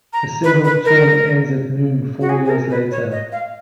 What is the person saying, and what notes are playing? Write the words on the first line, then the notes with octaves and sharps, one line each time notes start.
A single term ends at noon four years later.
A#5
B4
B4
A#4
F#4
G#4
G#4
A#4
B4
C#5
D#5
F5